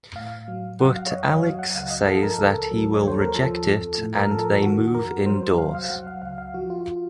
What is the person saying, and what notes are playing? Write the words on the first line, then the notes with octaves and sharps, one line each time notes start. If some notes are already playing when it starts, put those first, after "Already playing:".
But Alex says that he will reject it and they move indoors.
A2 F5
F#3
F#3 F#5
F5
C#5
F2 D#5
C#5
F#3 F5
F#5
C#2 F5
D#5
F3 A4
A#4
C#2 A4
A4
F#3
C#5
D#2 C5
A#4
F3 A4
F2
A2
A#4
F3 A4
D#3 F#4
F2 A#4
F#3 C5
C5
C2 F5
F5
F#3 F#5
F5
C#2 F5
F5
F3 F#4
F4
F4